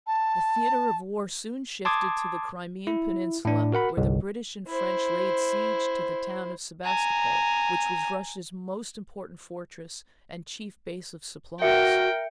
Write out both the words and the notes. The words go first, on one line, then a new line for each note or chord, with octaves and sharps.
The theater of war soon shifted to the Crimean Peninsula where the British and French laid siege to the town of Sebastopol which was Russia's most important fortress and chief base of supplies.
A5
A5 C6 D6 D#6 G#6
E4
A2 D4
F#4 A#4 F#5 B5
G1 C2
E4 C5
G#5 A#5
F#4 A#4 E5 G5 C#7